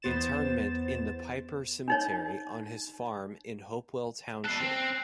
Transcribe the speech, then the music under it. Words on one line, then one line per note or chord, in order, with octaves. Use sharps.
Interment in the Piper Cemetery on his farm in Hopewell Township.
E2 B3 C5 A6 E7
D4 D#4 C#5
G3 A4 F#6 C7
C4